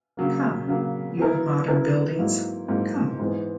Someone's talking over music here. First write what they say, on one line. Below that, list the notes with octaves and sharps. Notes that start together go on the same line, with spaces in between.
Come, you Modern Buildings, come!
C#3 F#3 A#3
C#3 F#3 A#3
F#3 B3 E4 A#4
F#3 B3 E4 A#4
G#2 F#3 A#3 E4
G#2 F#3 A#3 E4
G#2 E3 B3